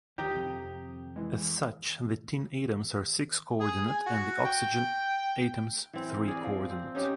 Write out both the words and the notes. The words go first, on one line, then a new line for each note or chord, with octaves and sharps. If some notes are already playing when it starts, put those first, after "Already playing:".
As such the tin atoms are six coordinate and the oxygen atoms three coordinate.
D2 D#3 F3 G4 G5 A#5 D#6
F2 C3
E3 G#3
G#4
G#5
F#4
G5
E3 C4
A#4
G#4 D5
F3
C4
C#4 D#4 G4